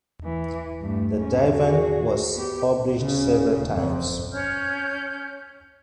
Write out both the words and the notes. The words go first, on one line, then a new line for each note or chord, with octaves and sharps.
The Divan was published several times.
E3
G2 A3
G#2 C#4
F#4 G#4
B3 G4
C#3
F2
C#4 C#5 F6 G6